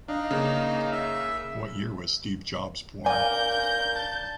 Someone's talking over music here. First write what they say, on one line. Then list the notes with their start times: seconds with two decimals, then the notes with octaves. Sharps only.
What year was Steve Jobs born?
0.08 D4 D#4 F5
0.31 C#3 A#3
0.92 E5
3.06 A#4 D5 F5 G#5 G6
3.95 A5